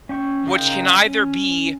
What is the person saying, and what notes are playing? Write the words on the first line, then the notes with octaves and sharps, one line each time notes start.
which can either be
C#4 G5 C#6
C#3 D#4 F4 A#4 G5
C#4